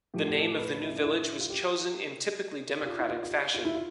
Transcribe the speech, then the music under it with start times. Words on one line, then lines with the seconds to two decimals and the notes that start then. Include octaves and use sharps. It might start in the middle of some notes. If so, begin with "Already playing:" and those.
The name of the new village was chosen in typically democratic fashion.
0.14 A2 F3 G4
0.28 G4
0.36 A4
0.59 B4
0.74 F4
0.82 E4
0.96 D4
1.04 E4
1.40 F4
1.50 G4
2.80 G4
2.86 F4
2.99 E4
3.09 F4
3.24 F4
3.31 G4
3.54 F4
3.65 E4
3.75 F4